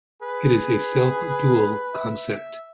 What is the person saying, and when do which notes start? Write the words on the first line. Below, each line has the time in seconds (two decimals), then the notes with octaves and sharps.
It is a self-dual concept.
0.22 G#4 B4
1.95 E5